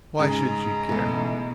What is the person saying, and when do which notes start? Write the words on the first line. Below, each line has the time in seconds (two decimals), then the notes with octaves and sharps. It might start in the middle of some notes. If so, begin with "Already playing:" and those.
Why should she care?
0.19 G#2 C#3 G#4 A#5
0.89 B2 E3 A3